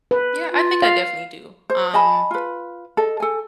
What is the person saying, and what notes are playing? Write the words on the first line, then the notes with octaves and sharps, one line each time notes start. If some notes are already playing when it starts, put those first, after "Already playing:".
Yeah, I think I definitely do, um,
B4
F4
F5
C5
D#5 G#5 A5 B5
F4 B4
A4 D#5
A4 G#5